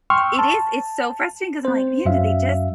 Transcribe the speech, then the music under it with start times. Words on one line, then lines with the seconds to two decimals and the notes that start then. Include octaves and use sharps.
it is, it's so frustrating, 'cause I'm like, "Man, did they just,
0.10 G5 C6 C#6 E6 F6
0.39 A5
1.65 C4 C5
2.05 F#2 F#3 E5 F5